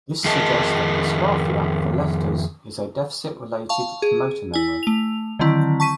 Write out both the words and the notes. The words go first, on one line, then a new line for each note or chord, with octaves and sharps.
This suggests that dysgraphia for letters is a deficit related to motor memory.
F2 D#3 G#4 A#4 D#5 A5
F5 A5 C#6
G#4
E4 G#5
A3 F7
D3 D#3 F#3 C4 E4
A5 C#6 B6 D#7